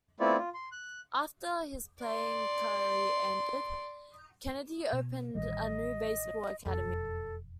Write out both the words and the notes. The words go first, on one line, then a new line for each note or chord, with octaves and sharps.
After his playing career ended, Kennedy opened up a new baseball academy.
A3 B3 C4 E4 F4 D5
F4
C6
F#6
D5 C6
B2
A1 D#3 G3 D#5
E1 F2 A4